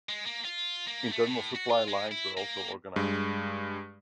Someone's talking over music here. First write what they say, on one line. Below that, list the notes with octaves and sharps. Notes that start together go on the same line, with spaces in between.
Internal supply lines were also organized.
G#3
A#3
F4
A#3
A3
A2
F#4
F4
G#3
E4
A#3
G2 G#3